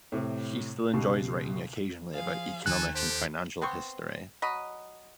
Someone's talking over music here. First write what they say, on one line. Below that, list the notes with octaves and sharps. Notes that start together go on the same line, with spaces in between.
He still enjoys writing occasionally about economic and financial history.
A2 C3
C#2 B2 G3
F3 G#4 F5
D#2 D#3 A4 G#5 A5 F#6
G4 A4 C5
B3 C4 C5 C#6
F#3 D#5 B5